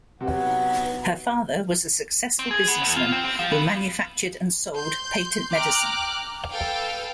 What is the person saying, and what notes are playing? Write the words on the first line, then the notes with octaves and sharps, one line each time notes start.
Her father was a successful businessman who manufactured and sold patent medicine.
C3 F#3 B3 F#5
C4
G#4
B3
E2
F4
C4
C4
F3
B3
C6 G6
G5 A#5 D6 F6 F#6
A4 B4 F5 G5